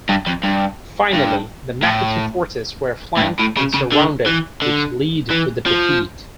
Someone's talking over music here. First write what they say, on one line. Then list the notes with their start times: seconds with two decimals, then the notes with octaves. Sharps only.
Finally, the Mapuche forces were flanked and surrounded, which lead to their defeat.
0.09 G2
0.26 F2
0.43 G2
1.13 G2
1.83 A2
3.18 A2
3.22 G2
3.40 A2
3.57 C#3
3.74 C#3
3.92 D3
4.26 E3
4.62 D3
5.31 E3
5.66 F3